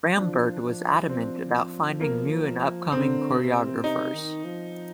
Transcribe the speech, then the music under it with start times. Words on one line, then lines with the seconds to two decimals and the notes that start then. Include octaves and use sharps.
Rambert was adamant about finding new and upcoming choreographers.
0.17 F3 D4
0.63 F3
1.09 C4
2.01 A#3
2.92 D3 C4
3.38 C3
3.84 C3 D#4
4.14 D#3
4.45 F3